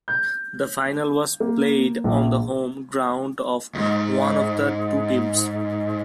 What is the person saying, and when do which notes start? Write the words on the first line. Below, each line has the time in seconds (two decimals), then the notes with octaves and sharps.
The final was played on the home ground of one of the two teams.
0.08 G6
1.40 A#3
2.04 A#1
3.75 D2 G#2